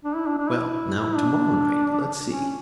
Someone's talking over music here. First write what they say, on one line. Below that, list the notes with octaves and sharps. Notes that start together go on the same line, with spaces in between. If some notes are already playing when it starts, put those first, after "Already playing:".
Well, now, to-morrow night, let's see.
D4
E4
D4
D4
E4
E4
D4
C#4